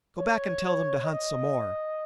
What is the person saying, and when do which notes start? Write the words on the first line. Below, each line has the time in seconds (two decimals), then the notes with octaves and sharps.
Go back and tell them to hunt some more.
0.19 C#5
1.03 D#5